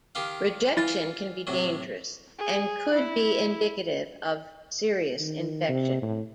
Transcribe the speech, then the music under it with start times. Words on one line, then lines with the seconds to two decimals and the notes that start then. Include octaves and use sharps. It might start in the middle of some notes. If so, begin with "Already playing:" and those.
Rejection can be dangerous and could be indicative of serious infection.
0.15 D#3 G4 F5
0.77 E3 E4 F4 A6
1.47 A2 C3 F#3
2.38 G#4
2.94 E4
5.20 D#3
5.68 C3
6.02 A2